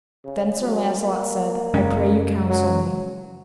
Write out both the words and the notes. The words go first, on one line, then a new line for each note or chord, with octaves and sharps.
Then Sir Launcelot said: I pray you counsel me.
C#3
F#3
A#3
F#2 C#3 G#3 C#4
F#3